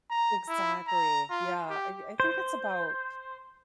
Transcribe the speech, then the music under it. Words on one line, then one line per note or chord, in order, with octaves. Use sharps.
Exactly, yeah, I I think it's about
A#5
E4
A#5
F4
G4
C5